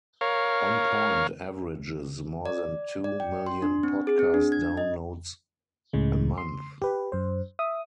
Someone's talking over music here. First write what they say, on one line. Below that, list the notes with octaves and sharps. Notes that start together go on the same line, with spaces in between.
"On Point" averages more than two million podcast downloads a month.
A#4 C#5 F5
D5
D5
G5
C6
D4
C4
G#4
C4
D4
G#6
D#5
C#2 A2 C#3 G#3
C6
G4 B4
F#2 C5
E5 D#6